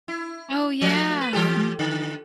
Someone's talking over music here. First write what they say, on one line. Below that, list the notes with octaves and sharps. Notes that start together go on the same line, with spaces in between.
Oh, yeah, m
E4
F3 A3
B4
E3 G4 A4
D3